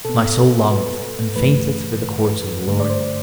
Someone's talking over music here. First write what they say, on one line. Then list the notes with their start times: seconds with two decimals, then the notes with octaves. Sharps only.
My soul longeth and fainteth for the courts of the Lord.
0.05 B2 B3 A4
0.70 B4
1.36 G2 E3 A3 B4
2.67 G2 D3 A3
2.80 D5
2.90 C5